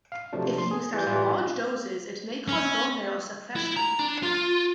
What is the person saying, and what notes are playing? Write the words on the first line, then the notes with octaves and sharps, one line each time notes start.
If used at large doses it may cause bone marrow suppression.
F5
C3 F3 F#3 A3 D4
C6
G#4
E3 G3 G6
A2 E3 G3 F4
C#4
E4
A#5
D4
F4